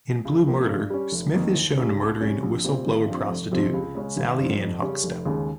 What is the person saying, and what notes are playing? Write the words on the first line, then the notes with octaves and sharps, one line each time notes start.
In "Blue Murder", Smith is shown murdering whistle-blower prostitute Sallie-Anne Huckstepp.
C#2
C3 F3 A#3
G2
G3 C#4
F1
F2 D#3 A#3
D#2
C#3 G3 C#4
C2
C3 G3 C#4
A#1
A#2 G3 C4
G#1
G2 F3 C4
F1
F2 C3 F3
C#2
C#3 G#3 C#4
G#1
G2 F3
F2
C#3 G3 C#4
F1
D#2 C#3 G#3